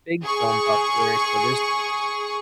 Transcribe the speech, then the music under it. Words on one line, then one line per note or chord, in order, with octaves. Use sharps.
big film buff here, so, there's
G#4 C#6